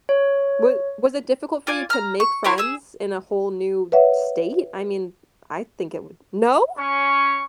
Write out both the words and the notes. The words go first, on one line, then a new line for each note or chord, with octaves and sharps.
Wa was it difficult for you to make friends in a whole new state? I mean, I think it would no?!
C#5
F4 D5 G#5
A#5 F6
C#6
A#3 E4 C#5 C6
G#4 E6
B4 C#5 E5 F#5
C#4 C#6